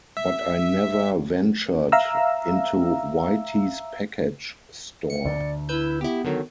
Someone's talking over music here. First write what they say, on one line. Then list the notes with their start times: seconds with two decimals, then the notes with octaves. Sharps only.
But I never ventured into Whitey's package store.
0.17 E5
1.92 E5 F5 A#5 E6
5.10 C#7
5.25 D2 D3 D5
5.69 E4 B4 E6 G6
6.01 B3 E4 G4
6.24 D3 D#3 F#3